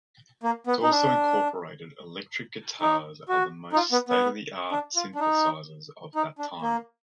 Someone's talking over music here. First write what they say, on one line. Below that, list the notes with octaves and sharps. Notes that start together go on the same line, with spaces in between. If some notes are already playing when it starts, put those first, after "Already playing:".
It also incorporated electric guitars and the most state-of-the-art synthesizers of that time.
A#3
B3
D#4
D4
D#4
F#4
D#4
F4
B3
B3
D4
F4
D4
D#4
D#4
D4
A#3